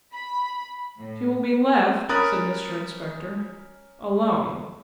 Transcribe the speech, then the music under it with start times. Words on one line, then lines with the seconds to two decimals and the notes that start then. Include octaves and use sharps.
'She will be left,' said Mr Inspector, 'alone.'
0.13 B5
0.97 A2
2.09 C#4 A#4 B5 D#6 F#6 A6